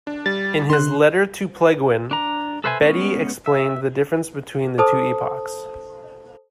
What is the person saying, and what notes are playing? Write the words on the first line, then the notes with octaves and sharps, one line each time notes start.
In his "Letter to Plegwin", Bede explained the difference between the two epochs.
D4
G3 A6
D3 C6 F#6
D4 A#5
A4 B4 C5 E5 G#5
G#3 B3 C#4
E5
A4 C5 A5 D#6